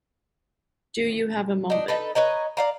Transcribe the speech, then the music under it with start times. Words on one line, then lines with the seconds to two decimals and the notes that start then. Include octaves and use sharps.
Do you have a moment?
1.70 D4 D#4
1.88 D#4 A4 B4
2.15 B4 C#5 D#5 A#5
2.57 D5 F5 A#5